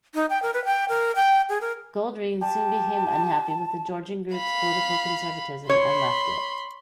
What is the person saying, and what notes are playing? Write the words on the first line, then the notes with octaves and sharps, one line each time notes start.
Goldring soon became unhappy with the Georgian Group's political conservatism and left it.
D#4
G5
A#4
B4
G5
A#4
G5
G#4
A#4
G4 A5
F5 B5
C#5 B5 C6